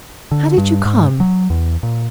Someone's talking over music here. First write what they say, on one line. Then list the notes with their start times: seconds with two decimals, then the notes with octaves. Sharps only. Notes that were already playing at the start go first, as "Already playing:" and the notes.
How did you come?
0.32 D3
0.58 G2
0.85 G#2
1.20 F#3
1.50 E2
1.83 A#2